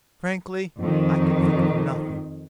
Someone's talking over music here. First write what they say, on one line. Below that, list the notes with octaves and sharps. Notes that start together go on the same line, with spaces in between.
Frankly I could think of nothing.
F2 D#3